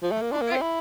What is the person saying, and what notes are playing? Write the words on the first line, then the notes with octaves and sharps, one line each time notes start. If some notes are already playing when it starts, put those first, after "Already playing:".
All right.
F3
A3
A#3
D4
A#3
C4
E4